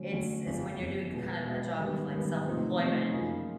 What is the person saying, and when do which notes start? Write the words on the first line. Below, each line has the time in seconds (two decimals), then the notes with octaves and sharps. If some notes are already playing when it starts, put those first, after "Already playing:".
it's it's when you're doing kind of a job of like self-employment.
Already playing: D3 F#3 A3 C#4
0.12 D3 F#3 A3 C#4
0.46 G1 F2 C#3
0.79 G1 F2 C#3
1.12 B2 G#3 B3
1.45 B2 G#3 B3
1.78 G#2 D#3 G3 B3
2.11 G#2 D#3 G3 B3
2.44 C3 F3 A3 C4 D#4
2.78 C3 F3 A3 C4 D#4
3.11 F#2 C#3 F3 A#3 D#4